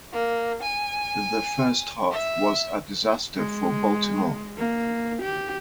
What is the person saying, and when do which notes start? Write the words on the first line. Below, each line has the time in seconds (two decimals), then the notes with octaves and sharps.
The first half was a disaster for Baltimore.
0.13 A#3
0.62 G#5
2.11 E5
3.37 G#3
4.58 A#3
5.22 G4